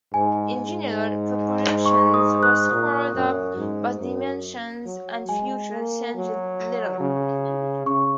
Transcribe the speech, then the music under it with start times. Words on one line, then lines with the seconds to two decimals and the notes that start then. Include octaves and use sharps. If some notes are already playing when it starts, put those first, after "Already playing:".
In general, proportions were squared up but dimensions and features changed little.
0.14 G#2 G#5
0.56 G#2
1.86 C#6
2.14 D#6
2.43 F#6
2.71 A#2 D#6
3.15 F#2
3.57 G#2
4.00 F#2
4.85 F#3
5.29 G#3 G#5
5.71 A#3
6.15 F#3
7.00 C#3
7.86 C#3 C#6